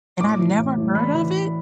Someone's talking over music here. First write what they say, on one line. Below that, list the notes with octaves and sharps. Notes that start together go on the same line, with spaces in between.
And I've never heard of it?
A2 D6
E3
A2
A2
E3 B5
E3
E3